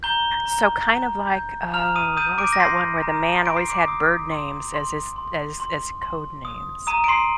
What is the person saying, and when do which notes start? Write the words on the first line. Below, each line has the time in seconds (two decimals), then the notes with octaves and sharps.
So, kind of like Oh what was that one where the man always had bird names as his as as code names?
0.03 A#5 G6 G7
0.46 A#5
0.89 A#5
1.31 G6
1.74 A#5 F6 F7
1.96 D#6 D#7
2.17 D#6 G6 D#7
2.38 D6 D7
2.53 A#6
2.60 C6 G6 C7
3.03 A#5
3.45 C6 D7
3.57 C7
3.68 D6 D7
3.88 D#6
4.31 C6
4.74 C6
5.16 C6
5.60 C6
6.02 C6
6.45 D#6
6.87 A#5 D#6 D#7
7.04 D7
7.08 C6 C7